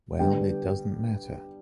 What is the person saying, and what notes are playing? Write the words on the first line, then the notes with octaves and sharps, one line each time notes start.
Well, it doesn’t matter.
D3 G3 B3 D4 G5